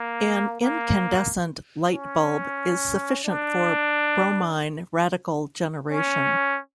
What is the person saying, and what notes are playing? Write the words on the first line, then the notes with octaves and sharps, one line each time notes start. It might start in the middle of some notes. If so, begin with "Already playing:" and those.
An incandescent light bulb is sufficient for bromine radical generation.
Already playing: A#3
A#3
C#4
D4
C#4